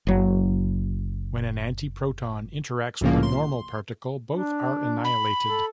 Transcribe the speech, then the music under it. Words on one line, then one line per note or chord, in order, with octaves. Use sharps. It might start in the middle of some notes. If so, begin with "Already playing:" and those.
When an antiproton interacts with a normal particle, both are annihilated.
F#1 F#3
C2 A2 C#3 F3 A#3
C6
D4
B5
A4